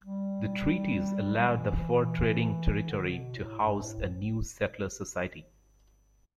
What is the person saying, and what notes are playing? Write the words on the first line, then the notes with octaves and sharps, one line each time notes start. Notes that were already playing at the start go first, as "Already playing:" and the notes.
The treaties allowed the fur trading territory to house a new settler society.
G3
G3
E3
D3
B2
A2
G2
A2